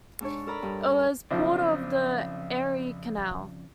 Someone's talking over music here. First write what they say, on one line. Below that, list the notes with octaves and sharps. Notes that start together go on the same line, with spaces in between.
It was a port on the Erie Canal.
G#2 D4 C#5
A4 A#4 D5 A#5 B5
G2
B1 F2 C#3 F3 D5